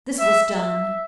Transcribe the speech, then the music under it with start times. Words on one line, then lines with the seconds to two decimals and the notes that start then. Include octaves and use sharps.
This was done.
0.20 E5
0.49 E5